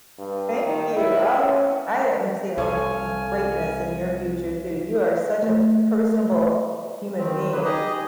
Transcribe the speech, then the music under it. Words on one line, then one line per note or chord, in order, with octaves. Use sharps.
Thank you. Oh, I, um, see, um, a greatness in your future too. You are such a personable human being.
G2
D#3
E4
C#4
C2 A4 C#5 F5 G#5
A3
D#3 C4
C#3 F#3 A#3 B4
D#4 G4 G#4 D#5